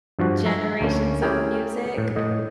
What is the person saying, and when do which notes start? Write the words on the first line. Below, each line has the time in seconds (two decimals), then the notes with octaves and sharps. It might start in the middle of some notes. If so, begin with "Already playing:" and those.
generations of music.
0.19 G2 F3 F#4
0.45 E5 A#5
0.81 D2 A3 A#3 C#4
1.22 C#4 E4 G4 G#4 A#4 G5
1.98 A2
2.16 A2 D#5